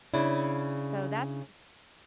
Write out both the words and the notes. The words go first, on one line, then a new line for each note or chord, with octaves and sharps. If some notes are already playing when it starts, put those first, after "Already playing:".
so that's
C#3 D4 E4